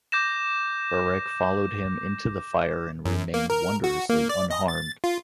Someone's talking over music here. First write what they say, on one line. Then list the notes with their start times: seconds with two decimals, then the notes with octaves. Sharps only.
Barek followed him into the fire and remained wondrously unharmed.
0.12 D6 G6 A#6 E7
3.05 F#2
3.34 A#3
3.50 A#4
3.84 F#4
4.09 A#3
4.29 D5
4.51 D#5
4.68 A6
5.04 F4